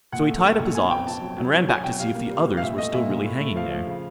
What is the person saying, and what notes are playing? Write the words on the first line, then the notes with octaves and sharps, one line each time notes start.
So he tied up his ox, and ran back to see if the others were still really hanging there.
A#2 F#5
A3
A3
A#2
B3 G#5
F2 G5
F2 A5
F#3
F#3
F#3
F#3 G#5
B2 G5
G3 F5
A#3
G3
G3
F5
A#2 E5
A3 D#5
A#2 E5
A#2
A2
A3
F3 F5
F3
C#3